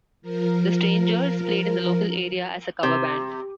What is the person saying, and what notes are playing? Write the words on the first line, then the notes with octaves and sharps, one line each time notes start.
The Strangeurs played in the local area as a cover band.
F3 A#4
C3